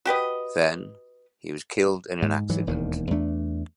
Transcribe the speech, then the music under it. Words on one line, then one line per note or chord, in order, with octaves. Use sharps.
Then, he was killed in an accident.
F#4 G4 B4 D#5
G#2
G#2 E3 F#3
E1 D#2 D#3
E2 A3 D4